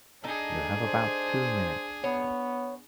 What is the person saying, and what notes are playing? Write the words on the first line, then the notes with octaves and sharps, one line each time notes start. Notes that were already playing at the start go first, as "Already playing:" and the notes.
You have about two minutes.
D4 D#4 G#4 A4
C5
B3 C#5